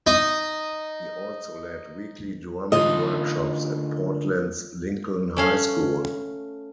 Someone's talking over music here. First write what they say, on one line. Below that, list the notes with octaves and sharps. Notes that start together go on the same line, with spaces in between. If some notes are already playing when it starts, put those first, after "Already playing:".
He also led weekly drumming workshops at Portland's Lincoln High School.
D#4 D#6
D2 D#4 F4 D#5
A3 C#4 F5